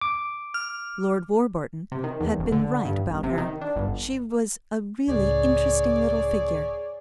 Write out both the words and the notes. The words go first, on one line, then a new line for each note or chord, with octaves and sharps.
Lord Warburton had been right about her; she was a really interesting little figure.
D6
F6
C3
D#3
E2
D#1
D3
G2
G1
C3
D#3
D4
G1
C#2 A2 G#4 C#5 D5